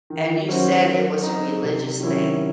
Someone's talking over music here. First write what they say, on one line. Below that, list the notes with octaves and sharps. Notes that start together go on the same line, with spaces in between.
and you said it was a religious thing
D#3
F#3 C#4 F#4 C5
F#3
C4 D#4
C3
D#3 F#3 C#4 E4